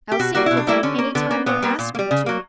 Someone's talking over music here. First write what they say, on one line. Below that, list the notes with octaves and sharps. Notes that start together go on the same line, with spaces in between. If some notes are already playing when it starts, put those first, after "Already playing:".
I'll sing for them any time they ask me to.
G4
B2 F#4
G3 A#3 F#4
B2 E4
D4
G3 A#3 E4
D3 C#4
A#3
D3 B3
A#3
A#2 B3
G3 A#3
A#2
A#3
G3
C#3
F#3 A#3